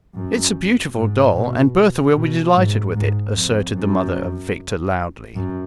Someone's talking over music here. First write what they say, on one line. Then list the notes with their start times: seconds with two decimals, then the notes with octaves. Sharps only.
"It's a beautiful doll, and Bertha will be delighted with it," asserted the mother of Victor loudly.
0.15 F#2
0.94 G#2
1.35 B2
2.16 B2
2.55 G#2
2.95 G#2
3.35 F2
3.75 F#2
5.35 F#2